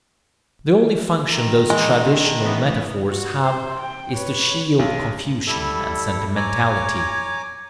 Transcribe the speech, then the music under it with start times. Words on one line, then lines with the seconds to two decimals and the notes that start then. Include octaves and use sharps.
The only function those traditional metaphors have is to shield confusion and sentimentality.
1.32 D#3 A#5
1.70 E3 G#3
2.03 D3
2.41 E3 B3 C#4
3.07 F#4
3.43 C5
3.79 G5
4.14 B4 C#5
4.79 B1
5.47 G3 E4 A4
6.36 C#5 G#5 A#5 D6